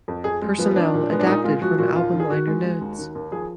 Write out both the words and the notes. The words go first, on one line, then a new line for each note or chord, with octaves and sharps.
Personnel adapted from album liner notes.
F2
F2 G#4
G#3
F3 B3
B3
F3 D4
A#2
G#3 B3
D4
A#2 D#4
G#3 F4
F3 F#4
A#2 F#4
D#2 F4
D#3
G#4
D#3 F#4
G#3
G#3
D#2
D#3
D#2
F3 G#4